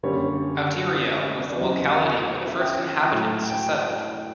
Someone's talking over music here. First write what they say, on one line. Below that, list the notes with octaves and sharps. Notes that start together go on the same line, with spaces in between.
Outeiro was the locality where the first inhabitants settled.
F#2 D3 G3 A#3 C#5
D5
E2 C#3 F#3 D#5
E5
G5
A2 F#3 A3
G5